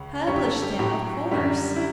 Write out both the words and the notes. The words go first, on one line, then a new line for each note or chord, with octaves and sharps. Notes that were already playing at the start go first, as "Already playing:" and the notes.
"Publish them, of course."
Already playing: C#2 C#3
F#2 D3 G3 C#5
G4
A4
G4
A2 F#3 G4
F#2 D3 G3
E4